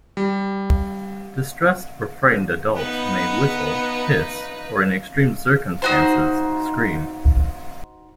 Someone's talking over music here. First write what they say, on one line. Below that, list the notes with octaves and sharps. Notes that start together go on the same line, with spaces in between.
Distressed or frightened adults may whistle, hiss, or in extreme circumstances, scream.
G3
B3 D#4 B4
D#4 F#4 C5